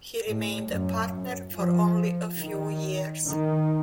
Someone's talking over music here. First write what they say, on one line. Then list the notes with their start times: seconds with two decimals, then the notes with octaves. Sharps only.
He remained a partner for only a few years.
0.26 A2
0.69 F#2
1.55 F3
2.41 D#3
3.27 D#3